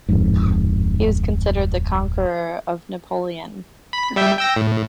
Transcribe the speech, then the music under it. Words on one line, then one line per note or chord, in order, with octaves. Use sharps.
He was considered 'the conqueror of Napoleon'.
D1 F2 G#2
B5
G3 E5 G5
G5 E6 A#6
A2